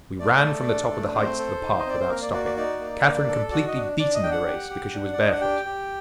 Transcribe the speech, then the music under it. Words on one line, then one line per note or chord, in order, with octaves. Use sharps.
We ran from the top of the Heights to the park, without stopping--Catherine completely beaten in the race, because she was barefoot.
A3 D5
A4
D4
A3
C4 C5
A4
D#4
D#5
C4 D5
C5
A#3 A#4
D5
F#4 D5
D5
D#4 D5
A#3
D4
A4
F#4 D5
D#5
D4
D4 D5
D#5
D4 G5
F#5
G4
G4
D4
D5
D4 D#5
F#5
G4 G5
G4